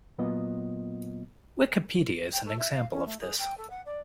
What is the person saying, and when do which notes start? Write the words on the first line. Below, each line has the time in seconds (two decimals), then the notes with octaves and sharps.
Wikipedia is an example of this.
0.18 A#2 F#3 A#3 B3 F4 D#5
2.32 G5
2.45 A4
2.59 E5
2.73 F5
2.92 C#4
3.06 A3
3.20 G#4
3.39 G5
3.57 A4
3.70 F#5
3.86 D5